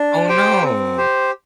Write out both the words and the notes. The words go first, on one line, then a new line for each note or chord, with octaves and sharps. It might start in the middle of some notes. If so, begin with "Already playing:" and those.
Oh, no.
Already playing: D4
G4 C5 G5
C4
G4 C5